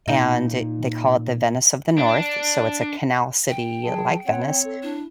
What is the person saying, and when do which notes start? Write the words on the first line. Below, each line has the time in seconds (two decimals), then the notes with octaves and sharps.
and they call it the Venice of the North, so it's a canal city like Venice.
0.08 A#2 D#4
1.98 D4
3.50 G5
3.84 F#3 G#4 A5
4.26 C4 C#5 F#5
4.47 G5
4.65 A4
4.83 D4 E4